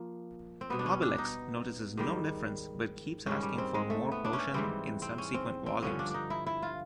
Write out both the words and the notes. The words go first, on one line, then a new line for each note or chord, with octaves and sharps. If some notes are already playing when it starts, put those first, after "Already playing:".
Obelix notices no difference, but keeps asking for more potion in subsequent volumes.
Already playing: F3 A#3
C4
B2 G3 B3
D4
C#4
D4
D#4
G#2 D#3 G3
G#2 D#3 G3 C#4
G3
C4
G#3
A3
B3
D4
C#4
G#2 E3 G3 C4
C4
C#4
C4
C4
G2 D3 F3 C#4
D4
D4 D#4
E4
E4
F4